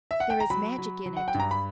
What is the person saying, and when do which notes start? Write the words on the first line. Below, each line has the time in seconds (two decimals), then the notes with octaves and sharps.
There is magic in it.
0.11 E5
0.20 F#5
0.30 G5
0.40 A#5
0.50 F#3 B5
0.78 F#3
1.06 F#3
1.17 F#5
1.28 G5
1.34 G2
1.40 A#5
1.51 B5